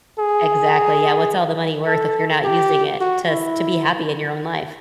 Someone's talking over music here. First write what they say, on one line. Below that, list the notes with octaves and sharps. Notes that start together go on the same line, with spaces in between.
Exactly. Yeah, what's all the money worth if you're not using it to s to be happy in your own life?
G#4
A4
G4
F#4
E4